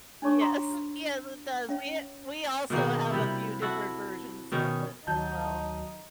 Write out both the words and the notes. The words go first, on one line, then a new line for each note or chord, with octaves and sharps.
Yes, yes, it does. We we also have a few different versions of it, as well.
D4 D#4 C#5 C#6 D6
A#5 C6 D#6
C#4 C#5 E5 F5
B2 D#3 A#3 G#4
C3 G3 E4
E4 F#4 A4
B2 D#3 C#4
D2 D#3 F#3 D#4 A5 G6